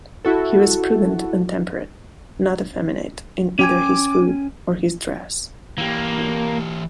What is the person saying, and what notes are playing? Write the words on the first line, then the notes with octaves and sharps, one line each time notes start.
He was prudent and temperate, not effeminate in either his food or his dress.
E4 F#4 A4
C#4 G5 G#5 D6
E3 A#3 G4